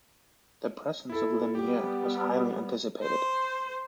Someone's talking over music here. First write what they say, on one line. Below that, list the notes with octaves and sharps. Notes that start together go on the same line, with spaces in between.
The presence of Lemieux was highly anticipated.
E4 A4
G3 B3 G4
C5